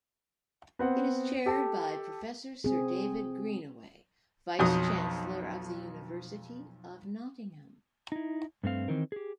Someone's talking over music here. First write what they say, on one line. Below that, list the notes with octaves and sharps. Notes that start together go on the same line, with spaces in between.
It is chaired by Professor Sir David Greenaway, Vice-Chancellor of the University of Nottingham.
B3 C4 F#5
G4 A4
C4 G#4
B1 F2 F#3 D#6
D#4 E4
G2 A3 C4 F5
D#3 E3 C4 D#4 A#4
G4 G#4